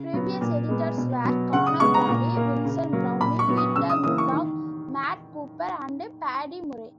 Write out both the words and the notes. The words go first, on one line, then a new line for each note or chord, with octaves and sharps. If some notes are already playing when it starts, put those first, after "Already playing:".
Previous editors were Conor Brady, Vincent Browne, Peter Murtagh, Matt Cooper and Paddy Murray.
Already playing: C#3
F#3 B3
A#2
G#3 B3
B2
F#3 B3
C#3 F#5
D#6
G#3 B3 C#6
A#5
A#2
A#3
C#3
F#3 A#3
A#2 B5
C#6
F#3 B3
D#6
C#3 E6
D#6
E3 A#3 D#6
C#6
D#3